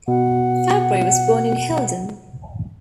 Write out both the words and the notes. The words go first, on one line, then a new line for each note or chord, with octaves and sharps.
Fabry was born in Hilden.
B2 F#5